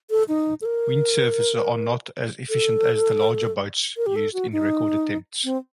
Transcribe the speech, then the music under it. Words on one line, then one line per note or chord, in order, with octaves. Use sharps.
Windsurfers are not as efficient as the larger boats used in record attempts.
A4
D#4
A4
A#4
A4
A#4
G4
A4
F#4
D#4
C4